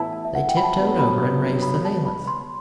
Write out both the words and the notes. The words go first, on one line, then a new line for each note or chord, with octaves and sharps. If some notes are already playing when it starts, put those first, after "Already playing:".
They tiptoed over and raised the valance.
Already playing: A1 A2 E3 B3 E4 A5
A5
E5
F#5
G5
B5
A5
G2 F#3 B3 B5
B5
B5
B5
A5
B5
C6